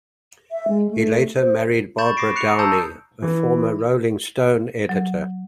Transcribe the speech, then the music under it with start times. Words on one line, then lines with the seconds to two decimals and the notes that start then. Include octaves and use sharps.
He later married Barbara Downey, a former "Rolling Stone" editor.
0.51 E5
0.68 G#3
0.91 A3
1.36 C5
1.98 B5 C#6 G6 A6 E7
2.17 D6 A#6 C7 D7
2.36 F#6 C7 C#7 F7
2.59 A5 A#5 D#6 E6 G6
3.22 E3
4.89 F#3